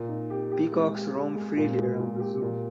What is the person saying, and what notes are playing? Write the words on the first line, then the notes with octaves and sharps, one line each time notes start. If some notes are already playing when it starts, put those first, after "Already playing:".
Peacocks roam freely around the zoo.
Already playing: A#2
D#4
G4
G4
G#3
G4
G#3
G#3
A#2
G#3
A#2
G4
A#2